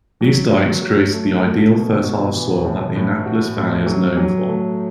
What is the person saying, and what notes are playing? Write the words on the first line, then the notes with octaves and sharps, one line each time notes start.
These dykes created the ideal fertile soil that the Annapolis Valley is known for.
F#3
F#3
F#3
A3
A3
B2
F#4
E3
A2
A2
F#4
A2
F#3
F#3
A3